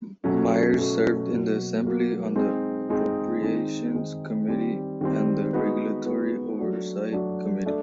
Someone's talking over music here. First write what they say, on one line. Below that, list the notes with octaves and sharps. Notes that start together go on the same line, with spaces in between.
Myers served in the Assembly on the Appropriations Committee and the Regulatory Oversight Committee.
B2 F#3 A3 C#4
B2 F#3 A3 C#4
B2 F#3 A#3
B2 F#3 A#3
G#3 C4 D#4 G#4
G#3 C4 D#4 G#4
D#3 G#3 C4 D#4
D#3 G#3 C4 D#4
D#3 G3 C4
D#3 G3 C4
G#3 B3 D#4 F#4 B4
G#3 B3 D#4 F#4 B4
F#3 A3 D4 F#4
F#3 A3 D4 F#4
A3 D4